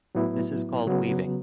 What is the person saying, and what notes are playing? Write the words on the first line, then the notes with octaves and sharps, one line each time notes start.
This is called Weaving.
A2 F#3 B3 E4
C#3 F#3 B3